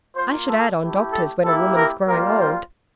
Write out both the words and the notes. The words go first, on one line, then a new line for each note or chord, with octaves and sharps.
I should add on doctors when a woman is growing old.
A#3 F4 C5
A4
A3 E4 G4
A4
A#3 E4 G4 A4
A#4
G3 A#3 F4 A#4
C5